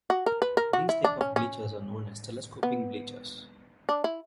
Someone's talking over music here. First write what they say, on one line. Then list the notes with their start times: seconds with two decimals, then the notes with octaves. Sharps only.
These type of bleachers are known as telescoping bleachers.
0.10 F#4
0.26 A#4
0.42 B4
0.57 A#4
0.73 F#4
0.89 E4
1.04 D4
1.21 C#4
1.36 C#4
2.63 B3
3.89 D4
4.04 E4